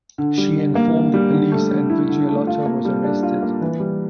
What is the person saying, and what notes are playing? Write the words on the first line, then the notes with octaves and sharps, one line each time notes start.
She informed the police and Vigliotto was arrested.
D3
G3
D3
A#3
D3
G3
D3
A3
D3
E4
D3
A3
F4
A#3
G3
D4
F4
A#3
E3
G3